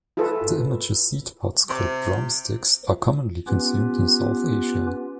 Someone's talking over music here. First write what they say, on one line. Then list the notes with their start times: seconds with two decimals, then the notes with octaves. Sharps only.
The immature seed pods, called "drumsticks", are commonly consumed in South Asia.
0.17 E4 F4 G#4 A4 B4
1.69 C3
3.47 B3 C#4 F4 G4 B4